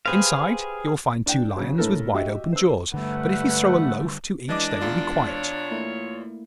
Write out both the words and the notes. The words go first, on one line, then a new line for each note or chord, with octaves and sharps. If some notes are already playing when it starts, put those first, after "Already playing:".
Inside you will find two Lions with wide-open jaws, but if you throw a loaf to each they will be quiet.
G4 G#4 B4 C5 F5
D4 G5
C#3 F#3
A2 A3 A4 A#4
F#4 G4 D#5 E5
C5 E6
G2 D3 G3 A3 B4 F#5
E3 G#3 D4 D#5 D6
E2 F4 D5
C#5
A3 A#3 E4